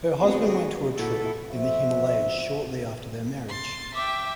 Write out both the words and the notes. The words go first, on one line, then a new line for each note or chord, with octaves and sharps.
Her husband went to a trip in the Himalayas shortly after their marriage.
G#3 B3 C4 D4 F#4 G#4
D#3
A#2 E3 E4 F#4 A4
F2 F3 F#4 C5 E5
C6 A6
E5 G5 D6